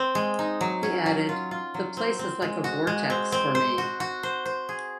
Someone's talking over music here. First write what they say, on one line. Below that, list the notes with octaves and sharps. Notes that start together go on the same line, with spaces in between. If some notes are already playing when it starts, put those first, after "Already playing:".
He added: "The place is like a vortex for me".
Already playing: C4
G#3
D#4
F#3
C#4
F#3
F4
F4
F#3
C4
C4
G#3
F#4
G#3
C4
C4
C5
F#4
F#4
C5
C5
G#4